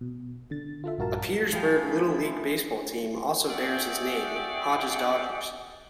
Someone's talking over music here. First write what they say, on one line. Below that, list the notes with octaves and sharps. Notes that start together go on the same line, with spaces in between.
A Petersburg Little League baseball team also bears his name, Hodges Dodgers.
B2
D3 A6
F4 A4 E5
A#1 G2 F#4 A#4 F5 A5
F3 A3 E4 G#4 F5 G5 B5
F#4 G#4 D5 E5 F#5 G5